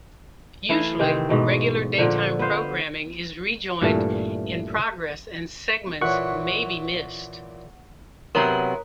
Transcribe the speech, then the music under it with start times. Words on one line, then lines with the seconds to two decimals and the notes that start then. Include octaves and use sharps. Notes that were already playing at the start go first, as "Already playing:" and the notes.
Usually, regular daytime programming is re-joined in progress and segments may be missed.
0.69 E3 A3 E4 F5
0.99 C3 D#3 E3 C4
1.29 G#2 B2 A3
1.98 A#2 D3 F3
2.39 B3 B4 C5 F5
3.82 G2 A#2 E3 G3 A3
6.01 A#2 E3 C#5 F#5 C#6
8.35 C3 F#3 B3 E4 A#4 C#5 A#5 C6